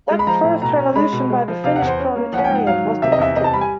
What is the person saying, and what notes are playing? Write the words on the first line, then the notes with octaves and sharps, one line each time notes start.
That first revolution by the Finnish proletariat was defeated.
G#3
B5
F3 A#5
A2
B2 A#5
C#4
G#3 B5
B2
G#3
F3
C3 F5
F#5
E2 C5
C#4
A#3
F3 F#5
G5
G#2
F#5
F#3 F5
D#3
C3 E5
D#5
E2 E5
C3 D#5
A5
G3 B5
G#5